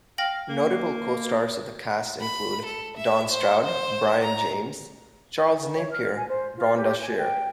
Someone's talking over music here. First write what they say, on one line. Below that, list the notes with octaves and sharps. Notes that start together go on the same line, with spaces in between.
Notable co-stars of the cast include: Don Stroud, Brion James, Charles Napier, Rhonda Shear.
F5 G5 A#6 F#7
A#3
B5
A4
E5
C5
C5
A#5
C#5
F6
G#5
C5
F4
G4
G#5
G5